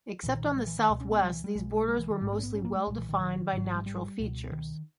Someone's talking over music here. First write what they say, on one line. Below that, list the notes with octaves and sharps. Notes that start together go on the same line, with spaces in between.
Except on the south-west, these borders were mostly well defined by natural features.
B1 A#2 E3
D#3
E3
G3
E3
D#3
C#2 B2
C#4
B3
G3
E3
G3
B1 B2 G#3
G#3
E3
D#3
A#1 G#2 G#3
B3
C#4
B3
C#4
A#3
G#3
B1 A#2 G#3
E3
D#3
D#3
G#1 G#2 D#3
E3
G3
G3
C#2 B2
D#3